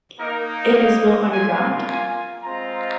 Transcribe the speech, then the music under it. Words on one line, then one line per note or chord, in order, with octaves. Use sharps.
It is built underground.
A#3 D#4 A#4
F5
A#3 F4 G#5
G#5
G#3 C4 F4 A#5